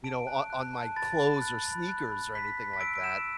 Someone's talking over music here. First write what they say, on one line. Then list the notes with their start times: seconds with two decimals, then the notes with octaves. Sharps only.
you know, o on my clothes or sneakers or anything like that-
0.04 A5 D7
0.27 F#6
0.50 F#6
0.73 A5
0.96 B5 A6
1.20 B5
1.42 F#6
1.66 B5
1.89 F#6
2.12 B5
2.35 B5 B6
2.57 F#6
2.73 B6
2.80 E6 D7
2.95 D7
3.04 E6 E7